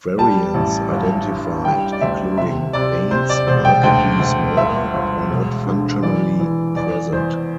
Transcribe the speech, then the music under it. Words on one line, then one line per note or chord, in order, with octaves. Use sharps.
Variants identified including veins markedly smaller, or not functionally present.
G3 A5
A1
G1
G2
G3 G5
D5
D2 E5
C3 E5
C3 D5
C3 C5
D5
E1 C5
G5
D2 G5
D2
G1 E5
G1
E1
D3
E3 D5
E3
E2 D5
E2 C5